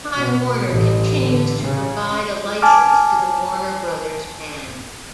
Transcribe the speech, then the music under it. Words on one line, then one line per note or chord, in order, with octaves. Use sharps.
Time Warner continues to provide a licence to the Warner Brothers brand.
B2
A1
D3
C#3
G#5 A5 D6 F6